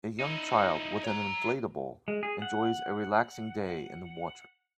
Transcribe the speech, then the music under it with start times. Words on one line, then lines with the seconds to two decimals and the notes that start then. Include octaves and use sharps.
A young child with an inflatable enjoys a relaxing day in the water.
0.20 D#4 E4
1.05 C#5 A#5
2.08 G#3
2.23 G#4
2.42 F#5